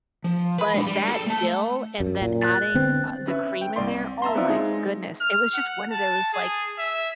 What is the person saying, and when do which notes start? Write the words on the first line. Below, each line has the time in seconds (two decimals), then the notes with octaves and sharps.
but that dill and then adding, uh, the cream in there, oh my goodness. It was just one of those, like,
0.24 F3
0.58 B4 B5
0.74 G#3 D4
0.87 G3
1.08 G4 A4
1.27 A3 A5
2.00 F#2
2.22 A#2
2.41 F#6 A6
2.74 D3 B3 C4
3.27 C#4 B4 E5
3.61 G5
3.76 C2 D5 C6
4.22 E5 A5 A#5 C6
4.35 B3 C4 D#4 F4 D5 E5
4.49 G#3 D#4 G#4
5.21 F6
5.55 F#5
5.90 A5
6.33 G#4
6.79 E5